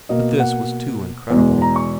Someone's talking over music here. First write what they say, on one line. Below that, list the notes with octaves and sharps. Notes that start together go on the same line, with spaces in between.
But this was too incredible.
B2 A#3 D#5
F#5
E2 B2 G#3
A#5
C#6